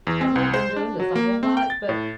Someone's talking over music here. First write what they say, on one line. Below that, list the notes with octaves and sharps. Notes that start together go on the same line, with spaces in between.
I've not been doing this a whole lot, but
E2
C4
C2
C5
D4
F#3
A#3
C4
G5
A6
A2